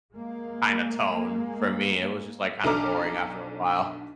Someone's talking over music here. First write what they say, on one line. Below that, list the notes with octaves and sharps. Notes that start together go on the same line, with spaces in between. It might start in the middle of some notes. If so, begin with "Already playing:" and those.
kinda tone for me. It was just, like, kinda boring after a while.
G#3 A#3
B1 D4 A4 A#5 D6 F6